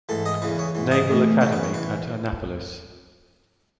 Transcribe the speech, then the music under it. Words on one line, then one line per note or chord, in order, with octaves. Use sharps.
Naval Academy at Annapolis.
G#2 E3 A4
D#5
E2 C#3 E3 B4
C#5
G#2 E3
D#5
A2 E3
E2 C#3 E3 C#5
B4
C#5
E3 B4